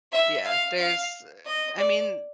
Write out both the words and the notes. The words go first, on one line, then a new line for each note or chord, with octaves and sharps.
Yeah, there's, eh, I mean,
E5
F5
F5
D#5
D5